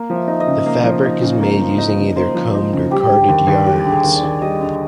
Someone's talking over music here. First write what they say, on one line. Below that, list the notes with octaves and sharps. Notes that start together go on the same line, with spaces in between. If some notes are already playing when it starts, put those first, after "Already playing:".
The fabric is made using either combed or carded yarns.
Already playing: A#3
F3
E5
D#4
D#5
C#3
A#3 F5
F3
D#4
C#3
A#3
F3
D#4
C#3
A#3 C5
F3
D#4
C#3
G3 G4
D3
D#2
D#2
G3 G4
D3
G#4
D#2
D5
D#2
G3 D#5
D3